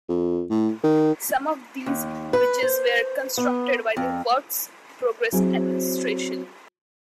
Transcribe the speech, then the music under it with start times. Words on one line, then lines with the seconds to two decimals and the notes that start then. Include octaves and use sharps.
Some of these bridges were constructed by the Works Progress Administration.
0.09 F2
0.50 A2
0.83 D#3
1.86 D#2
2.33 B4
2.63 C5
3.38 B3
3.97 F2
5.32 F#3 C4 E4 G#4